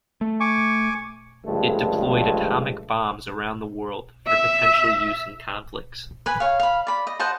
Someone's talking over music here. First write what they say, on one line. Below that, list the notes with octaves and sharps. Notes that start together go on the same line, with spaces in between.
It deployed atomic bombs around the world for potential use in conflicts.
A3
G#5 C#6 D6
C#2 G2 D3 F3 G#3 A3
E5
B4 G#5 B5
C#5 F5
F5 B5
D5 B5
D#5
C5 D#5 F#5 A5